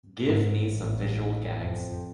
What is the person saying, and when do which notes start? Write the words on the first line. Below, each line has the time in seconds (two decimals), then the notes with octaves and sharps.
Give me some visual gags.
0.23 G#2
0.68 A1
1.61 F2